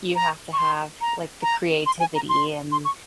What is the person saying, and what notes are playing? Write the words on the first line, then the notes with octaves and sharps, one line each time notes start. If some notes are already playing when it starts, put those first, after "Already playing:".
you have to have, like, the creativity and
A#5
C#6
C6
A#5
A#5
C6
G#5
A#5
C6
C6
C#6